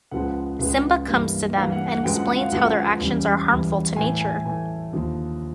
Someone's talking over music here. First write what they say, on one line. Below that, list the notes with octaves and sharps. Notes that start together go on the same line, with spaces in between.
Simba comes to them and explains how their actions are harmful to nature.
C#2 C#3 F3 G#3 B3 F#5
C#2 C#3 F3 G#3 B3
G2 E3 G3 A#3
G2 E3 G3 A#3 F5
F#5
F#5
F#2 D3 F3 G#3 B3 G5
F#5
F#5
F5
F#2 D3 F3 G#3 B3 F#5
E2 C#3 E3 G3
E2 C#3 E3 G3
A2 E3 A3 G#5
G#5
A2 E3 A3 G#5
D#2 D3 F3